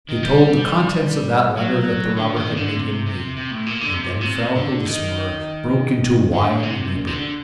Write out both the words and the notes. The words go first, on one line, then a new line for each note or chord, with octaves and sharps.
He told the contents of that letter that the robber had made him read, and then Frau Hildesmuller broke into wild weeping.
D#3
G3
F#3
D3
D#3
C3
D3
C3
C3
C3
A2
A#2
D3
C3
A#2
C3
D3
D#3
D3
A#2
C3
A#2
C3
D3